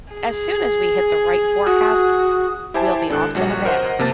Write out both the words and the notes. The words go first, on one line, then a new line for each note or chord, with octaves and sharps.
As soon as we hit the right forecast, we'll be off to Havana.
G#4
F#4 D#6
E4 G4 C5 G#5 A5
G#1 D4 A4 F#6
A#1 G3 F#4 C#5
A#4 C5 D#5 F#5
F2 C3 A#3 A5 A6